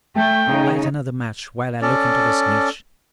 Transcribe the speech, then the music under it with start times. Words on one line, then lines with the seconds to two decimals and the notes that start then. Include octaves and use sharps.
Light another match while I look into this niche.
0.16 A3 G5
0.47 C#3 D#4
1.82 C#4 A4 D5